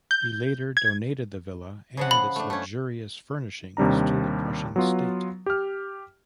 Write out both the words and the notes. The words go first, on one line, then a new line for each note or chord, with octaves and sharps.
He later donated the villa and its luxurious furnishings to the Prussian state.
G6
G#6
C#3 F3 F#5
B5
A3 D4
A3 C#4
D#2 C3 G3 D4 A#5
F#3 B3 F4
G4 F6